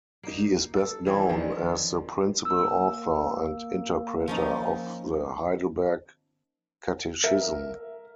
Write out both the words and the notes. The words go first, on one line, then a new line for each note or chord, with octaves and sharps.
He is best known as the principal author and interpreter of the "Heidelberg Catechism".
A#3 D#4
A4
D#3 E3 C4 C#4
D#3 F3 D4
A#3 E6
F3 C#4 D#4
A#4 E5